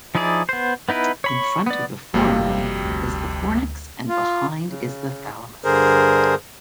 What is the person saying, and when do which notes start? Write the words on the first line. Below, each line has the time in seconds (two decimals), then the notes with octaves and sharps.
In front of the foramen is the fornix and behind is the thalamus.
0.15 F3 D#4 E4 G#4 D5
0.49 B3 C5
0.89 B3 D#4 E4 B4
1.24 C#5 B5 C#6
1.66 B3 D5
2.14 G1 F2 C3 G3 A#3 F#4 F5 G5
2.84 D2
4.09 F4
4.68 C#3
5.64 G2 D3 G#4 A#4 C5